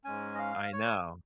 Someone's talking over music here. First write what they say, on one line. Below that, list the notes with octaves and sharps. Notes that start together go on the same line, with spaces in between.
I know.
G#2 G#3 C#4 G#5
D#5
F5
C#5